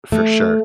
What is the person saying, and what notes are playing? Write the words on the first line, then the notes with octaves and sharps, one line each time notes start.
for sure.
A3